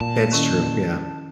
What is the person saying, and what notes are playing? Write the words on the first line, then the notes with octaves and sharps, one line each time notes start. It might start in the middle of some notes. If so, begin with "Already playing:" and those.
That's true, yeah.
A#2 A5
D#3 C#4 E4